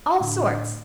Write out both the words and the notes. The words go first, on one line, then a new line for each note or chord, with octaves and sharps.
All sorts.
A2 D3